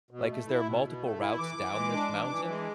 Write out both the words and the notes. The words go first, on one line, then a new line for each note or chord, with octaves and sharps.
like, 'cause there are multiple routes down this mountain,
B2
A3
E4
B2
B2
A3
E4
E3 D6
E3
G#3
D4
E3
E3
G#3